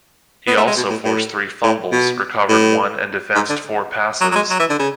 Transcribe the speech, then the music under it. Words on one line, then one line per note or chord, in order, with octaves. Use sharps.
He also forced three fumbles, recovered one and defensed four passes.
B3
A3
G#3
B2
A2
A2
A2
B2
A2
G#2
D3
F#3
F#3
G#3
F#3
E3
D3
C#3